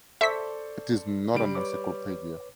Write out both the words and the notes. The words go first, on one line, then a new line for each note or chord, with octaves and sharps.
It is not an encyclopedia.
A4 C5 D5 E5 C#6 B6
C#3 G3 B5 D7
B4 C#5 D6